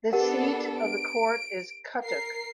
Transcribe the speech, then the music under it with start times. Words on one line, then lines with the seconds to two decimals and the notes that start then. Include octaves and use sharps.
The seat of the court is Cuttack.
0.13 B3 D4 G4 A4 A#4 F#5
0.83 D7
2.03 A#4 C7